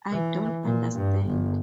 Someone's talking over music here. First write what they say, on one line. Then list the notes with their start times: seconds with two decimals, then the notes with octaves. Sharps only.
I don't understand.
0.12 E3
0.64 A#2
0.96 G2
1.27 G1